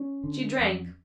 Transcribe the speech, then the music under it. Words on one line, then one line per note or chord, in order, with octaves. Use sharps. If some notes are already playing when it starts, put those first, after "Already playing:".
She drank.
Already playing: C#4
D3
F2